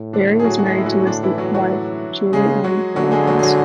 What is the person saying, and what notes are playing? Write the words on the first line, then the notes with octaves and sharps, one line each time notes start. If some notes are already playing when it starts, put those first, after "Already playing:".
Barry is married to his wife Julie Ann Lyons.
Already playing: A2
D3 D4
G#4
F#3 F#4
F#4
G#3 G#4
E4
F#3 F#4
D3 D4
E3 E4
F#3 F#4
F#3 F#4
C#3 G#3 G#4
F#3 F#4
D3 F#3 F#4
G#3 G#4
F#3 F#4
G#4
F#3 F#4